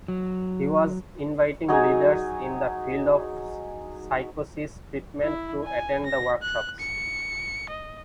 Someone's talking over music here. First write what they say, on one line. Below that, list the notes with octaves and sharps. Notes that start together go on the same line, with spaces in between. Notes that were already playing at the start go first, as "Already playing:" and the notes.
He was inviting leaders in the field of psychosis treatment to attend the workshops.
F#3
F#3 D#4 G#4 G#5
E4
G#5
A#6
F#6
C#7
D#5